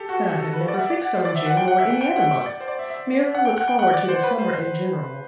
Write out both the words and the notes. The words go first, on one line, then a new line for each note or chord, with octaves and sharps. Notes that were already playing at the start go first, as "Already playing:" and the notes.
"But I have never fixed on June or any other month--merely looked forward to the summer in general."
Already playing: G4 A4
F#4
G4
A4
B4
D5
F#5
E5
D5
F#5
C5
D5
E5
F#5
G5
F#5
E5
G5
G5
F#5
E5
D5
C5
D5
E5
E5
F#5
G5
F#5
G5
F#5
D5
C5
B4
C5
C5